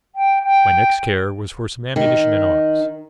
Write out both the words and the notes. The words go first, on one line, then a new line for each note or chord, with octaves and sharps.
My next care was for some ammunition and arms.
G5
G5
D#3